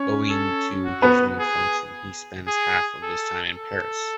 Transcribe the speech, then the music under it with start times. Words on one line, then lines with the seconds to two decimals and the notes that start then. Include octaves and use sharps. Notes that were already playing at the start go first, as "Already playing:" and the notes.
Owing to this new function, he spends half of his time in Paris.
Already playing: C#4 C#5
0.30 A4
0.85 F#4
1.02 B3 B4
1.39 G#4
2.47 G#4
3.03 A4
3.56 A4